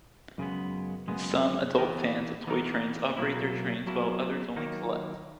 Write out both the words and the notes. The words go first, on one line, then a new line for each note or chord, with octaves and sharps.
Some adult fans of toy trains operate their trains, while others only collect.
F#2 C#3 G#3 B3
F#2 C#3 G#3 B3
E3 B3 D#4 A#4
E3 B3 D#4 A#4
B1 B2 F#3 A#3 E4
B1 B2 F#3 A#3 E4
D#3 F#3 A#3 D#4